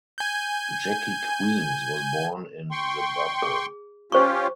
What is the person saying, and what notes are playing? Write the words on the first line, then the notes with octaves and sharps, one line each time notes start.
Jackie Queens was born in Zimbabwe.
G#5 G6
G5 C6 C#6
G#4
C#4 F4 G4 C5 C#6